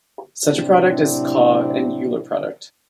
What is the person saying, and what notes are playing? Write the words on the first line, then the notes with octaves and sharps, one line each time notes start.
Such a product is called an Euler product.
A2 C3 F#3 C4 D4 E4